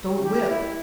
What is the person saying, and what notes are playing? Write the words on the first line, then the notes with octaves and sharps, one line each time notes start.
"Don't whip."
G4
E4